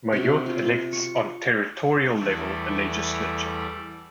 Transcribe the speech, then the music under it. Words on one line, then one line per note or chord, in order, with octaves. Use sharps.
Mayotte elects on territorial level a legislature.
C3 F#4
F4
C#6
E2 E3 G3 A3 A4 D5